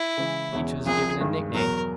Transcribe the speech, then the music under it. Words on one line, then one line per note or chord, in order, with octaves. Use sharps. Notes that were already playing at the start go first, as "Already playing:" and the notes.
Each was given a nickname.
Already playing: E4
C#3 E3 G#3
E2 B2 G#3 C#4
C2 C3 F3 G#4
G2 D#3 G#3
E2 B2 F#3 A#4